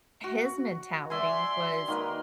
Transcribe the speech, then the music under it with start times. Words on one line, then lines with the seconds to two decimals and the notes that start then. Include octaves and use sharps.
his mentality was,
0.24 F#4
1.10 D5 E5 G#5 C6
1.88 D#3 A#3 B4